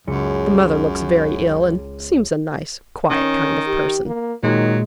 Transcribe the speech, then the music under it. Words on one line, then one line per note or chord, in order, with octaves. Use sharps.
The mother looks very ill, and seems a nice, quiet kind of person.'
C#2 F#2 C#7
D#3 C#4
G4
A#3
A#2 D#3 F#3 G#3